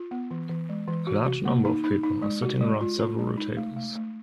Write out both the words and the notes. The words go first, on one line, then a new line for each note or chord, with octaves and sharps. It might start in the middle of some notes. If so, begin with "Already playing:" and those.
A large number of people are sitting around several tables.
Already playing: F4
B3
E3
E3
G#3
E3
F#4
F#4
A#3
D#4
D#4
D#4
G#3
F#4
G#3
F4
F4
G#3
D#4
A3
A3
A3